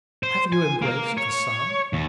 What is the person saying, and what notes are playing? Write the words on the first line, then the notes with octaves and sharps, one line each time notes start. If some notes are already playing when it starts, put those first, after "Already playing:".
Have you embraced the Son?
C5
G#5
A#3
C#5
D#2